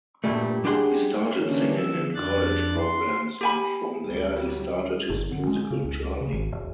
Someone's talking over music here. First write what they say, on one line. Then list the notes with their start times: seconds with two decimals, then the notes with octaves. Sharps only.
He started singing in college programs and from there he started his musical journey.
0.24 G2 A#2 E3 F#3 G3 A3
0.64 G3 D4 G4 G#4 F#5 C6
1.38 D3 E3 A#3 C#4 D4
1.78 D3 F3 E6
2.15 F2 D4 D5 F#6 A6
2.79 C6
3.41 G4 G#5 B5
4.06 D2 F#3 G3
5.10 G1
5.31 D3
5.47 G#3
5.70 C#3
5.84 C#2
6.21 C#3
6.32 G#1
6.52 E1